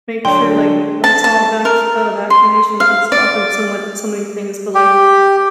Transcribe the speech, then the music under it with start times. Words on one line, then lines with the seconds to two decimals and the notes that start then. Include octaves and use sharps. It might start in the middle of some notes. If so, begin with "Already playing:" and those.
make sure, like, it's all vax uh, vaccinations and stuff and somewhat so many things. But, like,
0.25 D3 F#3 D4 G5 C6
1.04 A5
1.24 A5
1.65 A#4
2.30 C6
2.80 F5
3.12 D5
4.75 G4